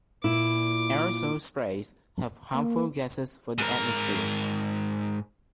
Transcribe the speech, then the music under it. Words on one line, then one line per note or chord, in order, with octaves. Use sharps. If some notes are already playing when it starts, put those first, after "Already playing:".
Aerosol sprays have harmful gases for the atmosphere.
A#2 E4 D6
A#3
G#2 A#4